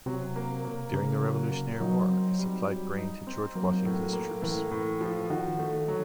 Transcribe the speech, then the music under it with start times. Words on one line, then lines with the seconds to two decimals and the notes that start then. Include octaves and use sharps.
During the Revolutionary War it supplied grain to George Washington's troops.
0.06 C3 F#3
0.36 A#3
0.65 A#3
0.93 C#3 A#3
1.22 F#3
1.51 A#3
1.80 F#3 D#4
2.09 C4
2.39 G3
2.69 G3
2.98 D#4
3.27 C4
3.55 F#3 A#3
3.85 A2
4.13 A#3
4.42 A2 E3
4.71 A2
5.01 F3
5.30 D#3 F#4
5.59 A3
5.88 F#3